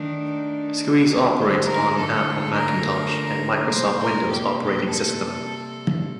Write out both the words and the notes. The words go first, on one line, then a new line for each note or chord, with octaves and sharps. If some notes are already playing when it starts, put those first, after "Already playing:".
Squeeze operates on the Apple Macintosh and Microsoft Windows operating systems.
Already playing: D#3 A3 D4
D3 F3 A3 C5
A#4
A4
A#4
C3 G3 A#3 C5
A#4
G4
G4
A4